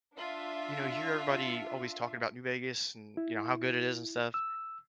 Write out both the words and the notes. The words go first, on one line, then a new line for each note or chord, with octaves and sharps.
you know, you hear everybody always talking about New Vegas and, you know, how good it is and stuff.
D4 F4 E5
E4
E6